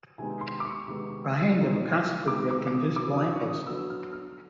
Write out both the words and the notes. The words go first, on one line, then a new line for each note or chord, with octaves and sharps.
Behind him a constable gripped invisible ankles.
C3 D#3 G#3 B3 D#4 G#5
C6
D6
C#6
C3 D#3 G#3 B3 D#4
C3 D#3 G#3 B3 D#4
C3 D#3 G#3 B3 D#4 D6
D6
D#6
D3 F#3 B3 D6
D#6
C#6
D#6
D3 F#3 B3 E6
F6
F6